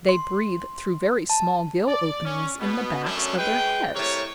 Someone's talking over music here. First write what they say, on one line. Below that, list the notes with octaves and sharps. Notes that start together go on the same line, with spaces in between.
They breathe through very small gill-openings in the backs of their heads.
C6
A5
D5
C#4
B2 B3
F#2 F#3 A3 C#4 D4
G#3 B4 G5
A2 C3 A#4 C#5